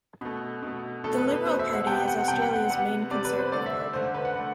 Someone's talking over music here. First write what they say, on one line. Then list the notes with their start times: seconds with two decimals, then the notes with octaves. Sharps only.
The Liberal Party is Australia's main conservative party.
0.21 B2 A3
0.63 B2 A3
1.04 B2 A3 A4
1.18 B4
1.32 B4
1.45 B2 A3 C5
1.59 E5
1.73 F#5
1.87 C3 G3 B3 G5
2.08 F#5
2.28 C3 G3 B3 G5
2.42 F#5
2.56 F#5
2.70 C3 G3 B3 F#5
3.11 C3 G3 B3 D5
3.25 B4
3.39 C5
3.52 D3 A3 D5
3.66 E5
3.93 D3 A3 C5
4.15 B4
4.25 F#5
4.36 D3 A3